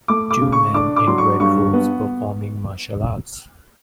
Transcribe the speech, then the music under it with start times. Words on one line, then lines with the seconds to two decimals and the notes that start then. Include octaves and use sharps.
Two men in red robes performing martial arts.
0.08 A3 D6
0.31 D6
0.41 C#3
0.52 C#6
0.74 D4 D6
0.96 D6
1.07 F#3 C6
1.18 C#6
1.40 G2 C#6
1.73 B3